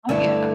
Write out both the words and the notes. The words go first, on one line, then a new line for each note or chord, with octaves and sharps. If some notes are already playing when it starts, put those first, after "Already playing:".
Oh, yeah.
G2 D3 A3 E4 A4